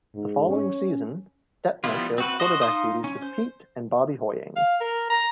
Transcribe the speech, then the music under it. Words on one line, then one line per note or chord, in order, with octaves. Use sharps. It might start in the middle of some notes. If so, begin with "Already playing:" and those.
The following season, Detmer shared quarterback duties with Peete and Bobby Hoying.
G#2
C#4
F3 G3 B3 E4 F4
C4 F#4 B4
F#4 C5 D#5
D#4 F5 C6 D#6
C#4
C5
F5
A#4
A#5